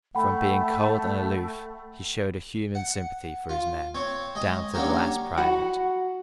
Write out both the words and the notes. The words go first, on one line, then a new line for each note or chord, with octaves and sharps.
From being cold and aloof, he showed a human sympathy for his men, down to the last private.
A3 F#5 G5 B5
F#5
F4
C4 C#5
G#3 D#5
D3 F#3 A#3 C#4 G4 A#4
F#4 F#5 B5